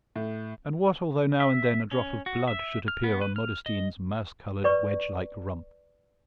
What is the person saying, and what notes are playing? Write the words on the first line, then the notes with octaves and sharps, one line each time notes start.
And what although now and then a drop of blood should appear on Modestine's mouse-coloured wedge-like rump?
A2
E5
C#4
F#4
E5
F6
B3
B4
F6
D#5
B4 D5 C#6